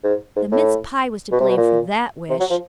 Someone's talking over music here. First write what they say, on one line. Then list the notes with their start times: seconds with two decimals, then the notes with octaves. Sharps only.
The mince pie was to blame for THAT wish.
0.04 G#2
0.36 G#2
0.52 A2
1.32 B2
1.40 C3
1.48 B2
1.57 A#2
2.30 C3
2.40 F#3
2.50 F3